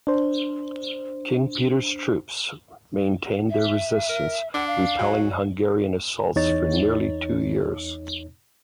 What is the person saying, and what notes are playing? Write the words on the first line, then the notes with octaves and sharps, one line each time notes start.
King Petar's troops maintained their resistance repelling Hungarian assaults for nearly two years.
D4 C5
E5
A#4
D4 F#5
F5
F#3
E2 D#4 C#5 A6